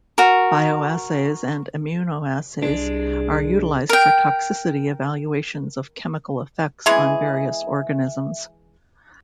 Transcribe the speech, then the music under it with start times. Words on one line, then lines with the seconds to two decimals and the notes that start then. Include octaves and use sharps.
Bioassays and immunoassays are utilized for toxicity evaluations of chemical effects on various organisms.
0.18 F#4 A#4
2.62 C2 G#3 D4
3.89 A#4 G5
6.86 E3 G#3 G#4 E5